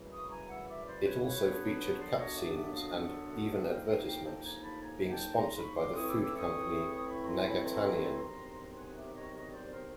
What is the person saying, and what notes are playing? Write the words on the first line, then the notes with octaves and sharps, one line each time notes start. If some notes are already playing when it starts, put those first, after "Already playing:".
It also featured cutscenes and even advertisements, being sponsored by the food company Nagatanien.
Already playing: F#2 C#3 E3 G3
C#6 D#6
G#5 A#5
E5 F#5
D5 E5
C5 D5
B4 C#5
B4 C#5
F#2 D3 F#3 B3 D4
C5 D5
C#5 D#5
D5 E5
D5 E5
D#5 F5
E5 F#5
D#2 D3 F3 A#3 D#4 F5 G5
F5 G5
F5 G5
G5 A5
G#5 A#5
A5 B5
G#5 A#5
G5 A5
A#5 C6
B5 C#6
C6 D6
A2 E3 A3 C4 E4 C#6 D#6
D6 E6
D6 E6
C#6 D#6
B5 C#6
A#5 C6
A5 B5
A#5 C6
D2 C3 D#3 F#3 B3
F#5 G#5
D5 E5
C#5 D#5
C#5 D#5
C5 D5
A#4 C5